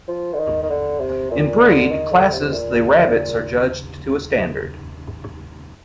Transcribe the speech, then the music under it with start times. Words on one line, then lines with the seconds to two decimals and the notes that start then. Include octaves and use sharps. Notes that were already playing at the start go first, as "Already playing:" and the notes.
In breed classes the rabbits are judged to a standard.
0.08 F3
0.33 D3
0.39 D#3
0.63 D#3
0.70 D3
1.00 C3
1.31 A#2
1.61 D3
1.92 D#3
2.12 D3
2.33 C3
2.54 A#2